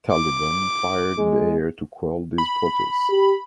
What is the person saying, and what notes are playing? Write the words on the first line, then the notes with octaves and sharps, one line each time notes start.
Taliban fired in the air to quell these protests.
D6
G#3
B5
G4